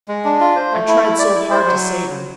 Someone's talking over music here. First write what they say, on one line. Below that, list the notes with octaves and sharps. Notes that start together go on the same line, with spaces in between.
"I tried so hard to save him."
G#3
D4
F4
C5
A3
E4
E4
D5
E4
C5
F#3